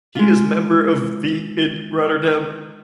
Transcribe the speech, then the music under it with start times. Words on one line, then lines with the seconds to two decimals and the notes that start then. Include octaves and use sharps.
He is member of the in Rotterdam.
0.15 G#3 F4